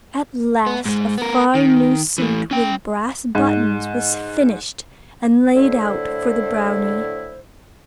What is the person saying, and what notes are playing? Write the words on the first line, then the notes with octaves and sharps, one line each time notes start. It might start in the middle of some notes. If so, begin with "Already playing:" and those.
At last a fine new suit with brass buttons was finished and laid out for the brownie.
B3
G#2 G#3
B3 A#4
D#3
E3 A3
C#4 G5
G#2
A2 D3 E4 C5